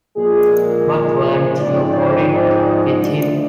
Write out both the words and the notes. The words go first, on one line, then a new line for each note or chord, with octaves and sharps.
But weren’t you horrid with him?
A#2 F3 G#3 G#4
A#4
C5
G#2 F3 G#3 C4 D5
C5
D5
D#5
D2 D3 F3 D5